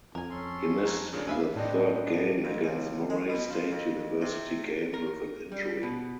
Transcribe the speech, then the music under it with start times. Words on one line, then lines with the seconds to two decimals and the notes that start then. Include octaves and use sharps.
He missed the third game against Murray State University game with an injury.
0.15 F2 A#4 G#5
0.30 C#4 A4 C6
0.86 A#5 G#6
1.13 A#2 C#3 D4
1.27 D#2 B4 E5 F5 G#5 E6
1.56 A2 B3 C4 D4 D#4
2.45 F2
2.64 C#2
3.10 G#3
3.29 B2
3.50 F3
3.72 F2
4.22 C3
4.94 A#4
5.52 G3
5.83 B2